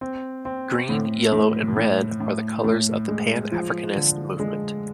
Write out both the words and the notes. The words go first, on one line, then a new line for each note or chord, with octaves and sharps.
Green, yellow and red are the colours of the Pan-Africanist movement.
C4
C4
A2
A2
A2
A2
A2
G#3
F3
D3
G#3